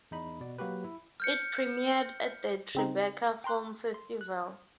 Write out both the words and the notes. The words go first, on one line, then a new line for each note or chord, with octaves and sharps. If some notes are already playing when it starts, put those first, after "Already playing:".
It premiered at the Tribeca Film Festival.
E2 D#4 B5
B2 D5
F#3 A#3 F#4 G4 B4
E4
F6 G6 C#7
C#3 C4 D#4
G5 A#5 C6 F#6
C6
F#6